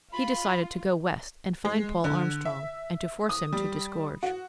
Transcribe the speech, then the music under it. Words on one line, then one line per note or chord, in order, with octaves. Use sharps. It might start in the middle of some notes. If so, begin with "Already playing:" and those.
He decided to go west and find Paul Armstrong, and to force him to disgorge.
F4 B5
G#3
D3
E5
D#6
G3
F#4